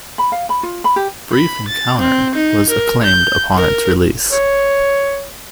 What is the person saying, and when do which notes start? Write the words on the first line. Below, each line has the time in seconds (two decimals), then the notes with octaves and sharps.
"Brief Encounter" was acclaimed upon its release.
0.18 B5
0.32 F5
0.49 B5
0.63 F4
0.84 B5
0.96 G4
1.32 B5
1.68 A6
1.99 C4
2.35 D#4
2.70 A#4
3.04 G6
3.56 A#4
4.31 C#5